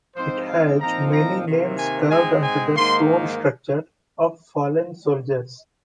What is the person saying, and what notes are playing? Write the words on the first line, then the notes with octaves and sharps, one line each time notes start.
It has many names carved onto the stone structure, of fallen soldiers.
G#2 F3 C4 D#4 C5
F5
A#2 F3 C4 D#4 A#5
A#5
C3 D#3 A#3
G#5
G#2 G#3 C4 G#5
G#5
G#2 D#3 A#3 D#4 C6